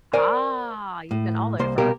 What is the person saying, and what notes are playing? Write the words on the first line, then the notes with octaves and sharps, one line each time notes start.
Ah, you've been all over.
A#4 C5 D5 G#5
A2
C2 A#3 C5 C6
C2 B2 A#3 G4 A#4